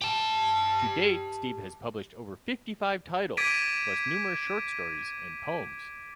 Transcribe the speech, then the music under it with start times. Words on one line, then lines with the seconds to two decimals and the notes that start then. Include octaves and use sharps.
To date Steve has published over fifty-five titles plus numerous short stories and poems.
0.01 G4 A5
3.37 D6 G#6 A6 B6 D7 D#7